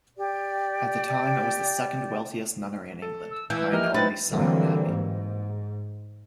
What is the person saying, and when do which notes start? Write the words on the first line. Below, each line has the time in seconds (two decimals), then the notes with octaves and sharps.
At the time it was the second-wealthiest nunnery in England, behind only Sion Abbey.
0.17 G4 D5
3.02 A4
3.31 E6
3.50 E3 E5 G6
3.73 F3 A#3 G4 A#4 D#5 F6
3.94 F#3 D4 D#4 B4 C5 G5 A6
4.31 D3 E3 F#3 G3 A#3 C4
4.89 G#2